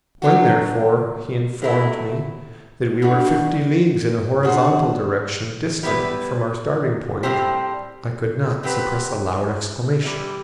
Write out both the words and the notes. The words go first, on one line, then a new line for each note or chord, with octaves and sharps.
When, therefore, he informed me that we were fifty leagues in a horizontal direction distant from our starting point, I could not suppress a loud exclamation.
F#3 B3 D4 F#4
A2 F#3 A3 E4
B2 A3 D4 F#4
A3 D4 F#4 C5
G3 B3 E4 B4
A2 G3 C4 G4 C5
F#3 C4 G4 B4
C3 E3 G3